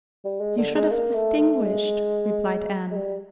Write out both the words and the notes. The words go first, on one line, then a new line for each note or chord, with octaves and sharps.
"You should have distinguished," replied Anne.
G3
G#3
D3
G#3
A#3
A3
A3
G#3
G#3
G3